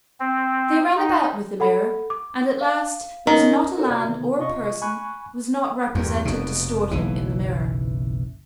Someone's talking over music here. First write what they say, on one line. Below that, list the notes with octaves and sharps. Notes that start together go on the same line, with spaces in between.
They ran about with the mirror; and at last there was not a land or a person who was not represented distorted in the mirror.
C4
D#4
A4 F#5 B5
D6
F5
D#3 C#4 A#4
E4 F#4 A4 A#4 C5
C3 F4 F#4 D5 B5 G#6
C3 D#3 B3
C3 F4 D#5 C#6
G#5 B5 C#6 F#6
E2 G2
F1 F2 B2
F#1 B1 E3